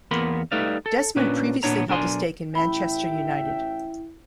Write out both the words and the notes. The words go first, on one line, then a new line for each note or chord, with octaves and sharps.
Desmond previously held a stake in Manchester United.
E2 A#3 B3 A#4 B5 C6
G3 A3 D#4 B4 D5 F5
A4
A#2 A#3 C#4 D4 B4
A#2 B3 D4 C#5 A#5
B1 D4 A#4 G#5 C6
A1 E4 E5 G5 B5